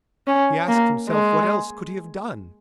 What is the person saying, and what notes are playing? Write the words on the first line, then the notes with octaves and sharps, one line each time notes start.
He asked himself what else could he have done.
C#4
A#3
G#3